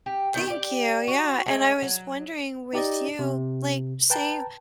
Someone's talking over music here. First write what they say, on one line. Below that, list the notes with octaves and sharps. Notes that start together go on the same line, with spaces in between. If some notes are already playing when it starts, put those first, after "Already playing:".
Thank you. Yeah, and I was wondering with you, like, say, wha
G4
D#3 B3 G5
G4 D5
F#4
G#3 A3
F#3
D#4 G4 D5 D#5
C3
B4 G5 A5 A#5